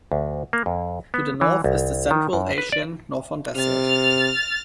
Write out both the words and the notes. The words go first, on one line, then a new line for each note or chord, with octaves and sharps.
To the north is the Central Asian northern desert.
D2
A#3
F2
B3
E3
C2
D#3
F#2
B4
D5
C3 F6 A6